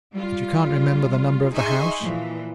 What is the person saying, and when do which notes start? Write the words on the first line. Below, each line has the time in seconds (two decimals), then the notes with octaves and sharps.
"And you can't remember the number of the house?"
0.13 G3 F4
1.53 D#4 G#4 E5 G#5 C6 C#6
2.01 A#2 E3 F3